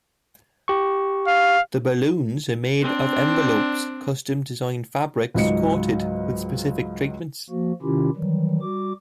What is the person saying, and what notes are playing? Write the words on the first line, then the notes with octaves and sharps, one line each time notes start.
The balloons are made of envelopes custom designed fabrics coated with specific treatments.
G4 C#6
F5
C4 D4
C#2 G#2 F#3 D#4 D#5 C#7
F3 A#3 F#4
C3 D#3 C#4 E4 F4 G4
D#3 E3 F#3 G3
G3 F#4 D6